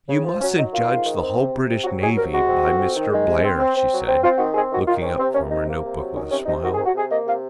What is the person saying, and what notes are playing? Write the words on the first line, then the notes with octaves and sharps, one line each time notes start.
"You mustn't judge the whole British Navy by Mr. Blair," she said, looking up from her note-book with a smile.
C#3
F3
F#3 C#4
F#3 D#4
D#3 F4
G#2
D#3
C4
C3
C3
C4
F#3 F#4
F#3 G#4
C3 A#4
G#3 F#4
C4
F2
C4
D#3
G#3
C3
C4
C4
C4
F#3
C4
C4 F4
D#3 F#4
C4 G#4
D#3 F#4
D#3 F4
C4 C#4
C3 C4
A#3 C#4
C3 D#4
A#3
C3
F#3
D#3 C#4
C3 C#4
C3 D#4
D#3 F#4
G#4
C3
F#4
C3 G#4
A#3 D#5
C3 F5